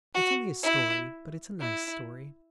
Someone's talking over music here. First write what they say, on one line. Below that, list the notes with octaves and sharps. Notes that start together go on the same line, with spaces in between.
It's only a story, but it's a nice story.
F#4
E4
E4